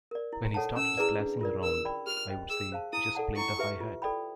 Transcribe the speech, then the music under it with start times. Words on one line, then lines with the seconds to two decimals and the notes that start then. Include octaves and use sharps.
When he started splashing around I'd say, 'Just play the hi-hat!'.
0.11 A#4 D5
0.33 E4
0.54 A4 C#5 F#5 A5
0.76 C#4 E6
0.97 E4 G#4 B4 D5
1.20 D4
1.41 F4 A#4 D5
1.63 A#4 E6
1.85 D5 G5 B5
2.07 G4 F6
2.28 C5 D#5 G5
2.50 G#4 E6
2.72 C5 F5 A5
2.93 E4 D#6
3.15 A4 D5 F#5 A5
3.37 E4 C#6
3.59 G4 B4 E5
3.80 F4
4.02 A4 D5 G5 B5